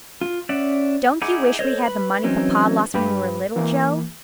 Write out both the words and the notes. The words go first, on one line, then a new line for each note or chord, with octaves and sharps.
Don't you wish we had the money Papa lost when we were little, Jo?
F4
C#4 D5 E5 F#5
D#4 E4 G#4 F#5 D6
A4 C5 C#5 D#5
B4 B5
E3 F#3 C4 C#4 D#4
G2 G4 B4 B5
E3 A#3